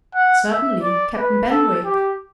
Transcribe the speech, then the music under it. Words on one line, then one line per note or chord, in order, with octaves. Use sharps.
"Certainly: Captain Benwick."
F#5
E5
D5
B4
A4
G4